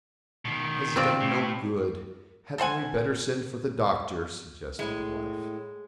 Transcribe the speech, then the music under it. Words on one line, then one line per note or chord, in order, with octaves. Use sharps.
"It has done no good; hadn't we better send for the doctor?" suggested the wife.
B2 D#3
C4 F4 D5
A2
A4 C5 F#5 G#5
A2 G#3